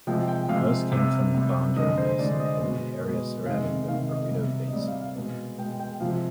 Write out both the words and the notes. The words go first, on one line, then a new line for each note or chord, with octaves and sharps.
Most came from Banjarmasin in the area surrounding the Barito basin.
C3 F3 G#3 G5
G5
C3 F3 G#3 F5
C3 G3
C3 G3
D3 G#3 D#5
C5
D3 G#3 D5
D#5
B2 G#3
B2 G#3
C3 D#3 G#3 F5
C3 D#3 G#3 F5
D#5
C3 G3
D#5
C3 G3 D5
F5
F5
B2 G#3
B2 G#3 G5
G5
C3 F3 G#3 F5